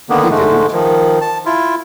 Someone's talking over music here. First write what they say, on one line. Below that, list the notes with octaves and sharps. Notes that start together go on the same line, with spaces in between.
He didn't.
D3 D#3 A#3 B3
G#2 D3 G#3 A3
D#3 F3
A5
E4 F4